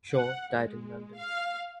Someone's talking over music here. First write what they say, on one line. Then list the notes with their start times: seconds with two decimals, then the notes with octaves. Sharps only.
Shaw died in London.
0.13 F#5
0.56 G#3
1.16 F5